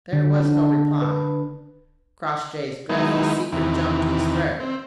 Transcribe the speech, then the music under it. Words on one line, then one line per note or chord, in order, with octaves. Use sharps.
There was no reply: Crossjay's dreadful secret jumped to his throat.
D3
D4
B4
D#3 F#3 G#3 B3 D#4 E4
E2 C3 D#3 E3
C4